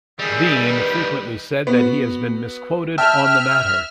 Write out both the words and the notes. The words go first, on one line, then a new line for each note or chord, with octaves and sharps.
Deane frequently said that he had been misquoted on the matter.
D#3 G3 G#4 E5
B4
B3 F#4
E5 G5 A5 F6